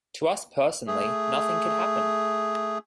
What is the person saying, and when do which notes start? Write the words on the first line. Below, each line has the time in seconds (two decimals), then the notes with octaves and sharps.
To us personally nothing could happen.
0.87 A3 G#4